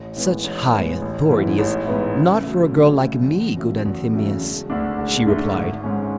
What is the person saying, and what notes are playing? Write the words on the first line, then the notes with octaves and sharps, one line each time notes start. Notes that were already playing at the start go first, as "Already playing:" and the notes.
"Such high authority is not for a girl like me, good Anthemius," she replied.
Already playing: A1
A2 G#3 B3
A1
A2 G#3 B3
A1
G#2 E3 B3 E4
A1
G#2 E3 B3 E4
C#3
F#3 A3
C#3
F#3 A3
E2
C#3 F#3 A3
E2
C#3 F#3 A3
E1
D2 D3 A3 D4
E1
D2 D3 A3 D4
G#1
G#2 G#3 C#4